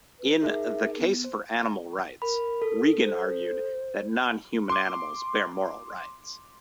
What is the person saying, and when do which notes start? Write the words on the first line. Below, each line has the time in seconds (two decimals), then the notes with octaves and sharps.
In "The Case for Animal Rights", Regan argued that non-human animals bear moral rights.
0.20 B4
0.42 D#4 G#4 A#4 E5
0.98 B3
1.24 C5
2.22 A#4 B5
2.62 A4
3.04 C5
4.70 C6 D6